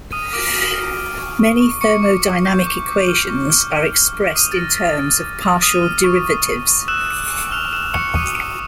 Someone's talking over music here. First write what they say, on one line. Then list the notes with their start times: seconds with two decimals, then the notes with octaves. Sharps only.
Many thermodynamic equations are expressed in terms of partial derivatives.
0.12 D#6 F6 D#7
0.33 D6 F6 D7
0.55 F6
0.75 F6
0.98 F6
1.18 C#6
1.39 C#6
1.60 C#6
1.81 C#6 D6 C#7
2.02 D6
2.24 D6
2.45 G6
2.67 D6
2.88 D6
3.08 F6
3.29 C#6
3.50 F6
3.71 F6
3.93 F6
4.14 C#6
4.35 D#6 F6 D#7
4.52 A6
4.56 F6 A#6
4.77 F6 A6
4.99 F6
5.19 D6
5.41 D6
5.61 D#6 F6 D#7
5.83 F6
6.04 C#6
6.25 C#6
6.46 C#6
6.68 C#6
6.88 E6 F#6 E7
7.10 D6
7.30 D6
7.51 F6 F#6 F7
7.72 E6 F#6 E7
7.94 C#6 F#6 C#7
8.15 D6 D#6 D#7
8.36 F#6